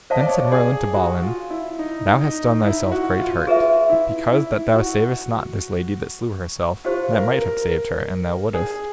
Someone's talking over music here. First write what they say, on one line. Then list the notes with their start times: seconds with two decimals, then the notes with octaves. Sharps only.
Then said Merlin to Balin, Thou hast done thyself great hurt, because that thou savest not this lady that slew herself, that might have saved her an thou wouldest.
0.10 C5 D#5 F5 A5
0.20 D5
0.29 C#5
0.37 D5
0.52 G#4
0.94 F#4
1.23 F4
1.50 E4
1.79 D#4
2.21 D#4
2.63 E4
2.92 F#4
3.19 F4
3.47 F4 G#4 B4 E5
3.90 E4
4.32 E4
4.74 F#4
6.85 E4 F4 G4 C5 F5
7.13 A#4
7.41 A#4
8.54 G#4